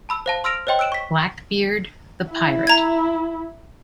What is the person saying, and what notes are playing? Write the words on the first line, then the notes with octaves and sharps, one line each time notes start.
"Blackbeard the Pirate".
A5 B5 E6
C5 F5 A5
C6 E6 F6 A#6 D7 F7
C5 C#5 D#5 G5 C6
E6 F#6 D7 E7 F#7
C#6 B6
E4
A#5 G#6